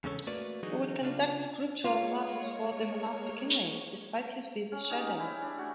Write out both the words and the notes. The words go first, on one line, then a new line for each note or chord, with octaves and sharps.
He would conduct scriptural classes for the monastic inmates despite his busy schedule.
E2 G#2 C#3 C#4 A4 C#5
A3 A#3 F#4 B4 D5
D3 E3 F#3 D#4 F#4 G#4
C#3 C#4 D4 F4
G#3 A#3 F4 C#5
C#4
C#4 D#4 G4 G#4
E4
D4
A3 F#4